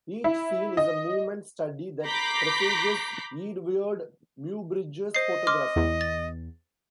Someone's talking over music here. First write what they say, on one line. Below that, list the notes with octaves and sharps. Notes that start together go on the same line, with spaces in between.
Each scene is a movement study that presages Eadweard Muybridge's photography.
E4
D#5
A#5 B5 D6 G6 B6 C7
C5 D#5 C7
C6 D6 F6
E2
A6